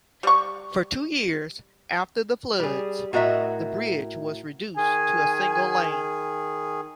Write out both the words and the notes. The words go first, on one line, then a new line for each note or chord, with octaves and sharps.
For two years after the floods, the bridge was reduced to a single lane.
G3 C#6
G3 G#4
A2 F#4 A#4 D#5 E5
D#3 G#4 G#5